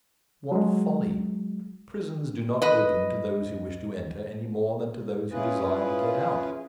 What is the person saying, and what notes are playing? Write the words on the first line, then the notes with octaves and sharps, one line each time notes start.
What folly! Prisons do not open to those who wish to enter, any more than to those who desire to get out.
F#3 G#3
B4 D#5
C#4 E4 F4 G#4 B4